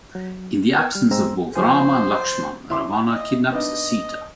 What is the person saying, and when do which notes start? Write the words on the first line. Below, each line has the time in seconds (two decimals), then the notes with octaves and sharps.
In the absence of both Rama and Lakshman, Ravana kidnaps Sita.
0.15 F#3
0.78 B3 A#4 G5 G#6
0.92 G3 F6
1.11 G#2 G#3 C4 A#5 C6 E6
1.55 F3 G#4 C5
2.70 E4 C6 D6
3.12 D#5
3.52 B3 D4 D#4 D#5